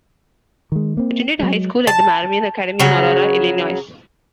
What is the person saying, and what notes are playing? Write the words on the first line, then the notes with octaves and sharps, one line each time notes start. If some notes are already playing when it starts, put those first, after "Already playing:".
He attended high school at the Marmion Academy in Aurora, Illinois.
D#3 G#3
A#3 C4
F#3 G#3
A5
C#3 F#3